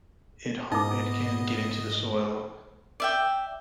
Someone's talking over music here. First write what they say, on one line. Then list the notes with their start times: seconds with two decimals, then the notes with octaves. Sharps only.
it ha it can get into the soil,
0.72 G#2 B3 D#4 E4 D#5 D6
3.00 D5 E5 G5